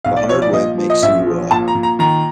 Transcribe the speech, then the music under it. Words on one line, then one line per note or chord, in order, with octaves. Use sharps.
the hard way makes you, uh,
B1 F5
D5
F3 C#5
D5
A#2 D#5
F3
D#5
A#1 E5
F3
A#2 A5
A#5
A#2
A#5
D#3 A#5